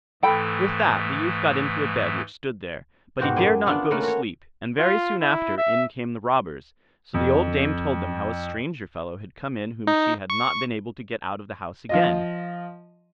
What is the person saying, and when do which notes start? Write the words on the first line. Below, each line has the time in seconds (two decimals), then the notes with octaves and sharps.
With that the youth got into a bed which stood there, but he dared not go to sleep, and very soon after in came the robbers; so the old dame told them how a stranger fellow had come in whom she had not been able to get out of the house again.
0.23 G#2 E3 A3 A4 G5 B5
3.19 G#2 B2 F#4 G4 C5 F5
3.36 F#2 D5 G#5 C6
3.65 B3 D4 F4 B4 C#5
3.91 A3 A#3 C#4 F4 B4
4.03 F#4 C#5
4.78 F4
5.20 E4
5.57 E5
7.14 F2
9.87 D#4
10.30 C#6
11.89 F3 F4 D#5